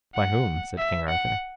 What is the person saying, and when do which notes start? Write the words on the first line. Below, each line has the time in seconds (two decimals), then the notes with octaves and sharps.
By whom? said King Arthur.
0.15 F#5
0.78 E5
1.09 F#5